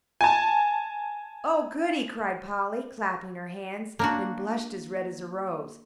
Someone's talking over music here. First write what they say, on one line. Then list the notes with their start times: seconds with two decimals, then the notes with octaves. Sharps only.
"Oh, goody!" cried Polly, clapping her hands; then blushed as red as a rose.
0.21 G#5 A5
3.99 A#3 D4 F#4